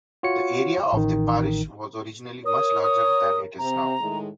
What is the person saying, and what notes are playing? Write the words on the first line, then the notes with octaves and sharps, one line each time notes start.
The area of the parish was originally much larger than it is now.
F4 F#4 C#5 C#7
A1 D#3
A#4 C#5 D#6
D#6
C3 C4 A#5
A2 D#3 G#3